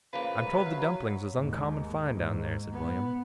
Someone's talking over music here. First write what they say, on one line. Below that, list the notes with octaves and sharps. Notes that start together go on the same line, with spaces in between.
'I'm told the dumplings is uncommon fine down there,' said William.
C#3 F3 A#3 B4
C3 F#3
F5
D#2 G#2
G#2
B3